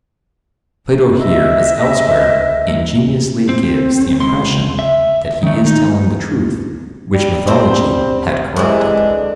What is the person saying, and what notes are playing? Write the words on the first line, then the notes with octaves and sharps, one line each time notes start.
Plato here, as elsewhere, ingeniously gives the impression that he is telling the truth which mythology had corrupted.
D#5 E5
C4
C#2 C6
E5
D#3 A3
D#4
G3
C4 C5
C3 E3 G#3 D4
D3